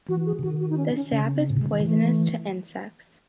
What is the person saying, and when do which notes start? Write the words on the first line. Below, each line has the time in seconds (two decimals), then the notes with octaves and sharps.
The sap is poisonous to insects.
0.08 E3 F#4
0.26 G#4
0.39 C#3
0.43 D#3 F#4
0.60 F#4
0.70 D#4
0.77 C#4
0.95 C#4
1.11 C#3 C#4
1.35 C4
1.50 A2
1.57 C3 G#3
1.66 C#3
1.73 D#3
1.80 E3 A3